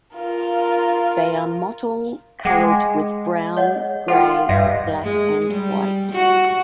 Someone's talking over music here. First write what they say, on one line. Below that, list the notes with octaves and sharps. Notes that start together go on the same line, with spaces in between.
They are mottle-colored with brown, gray, black, and white.
F4 A#4
G#3 F#5 G5 D6
C#5 D#5 F#5
F4 A4 F#5 G5
G2 D#5 E5
G#3
G3
F#4